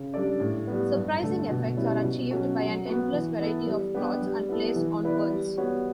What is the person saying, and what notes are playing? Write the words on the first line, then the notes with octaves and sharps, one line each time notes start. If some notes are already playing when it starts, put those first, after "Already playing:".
Surprising effects are achieved by an endless variety of plots and plays on words.
Already playing: C#3
G3 D4 A4 D5
A2
G3 B3
G2
D3 A3 D4 A4
B2
G3 C#4 E4
B2
F#3 C#4 F#4 A4
F#3
B3 F#4
E3
B3 E4 A4
G3
B3 D4 G4
G3
B3 E4 A4
E3
B3 E4 B4 D5
G3
B3 F#4 C#5